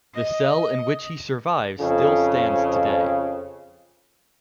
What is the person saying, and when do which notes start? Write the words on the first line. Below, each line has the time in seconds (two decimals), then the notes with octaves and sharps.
The cell in which he survived still stands today.
0.14 D#5
1.80 F2 C#3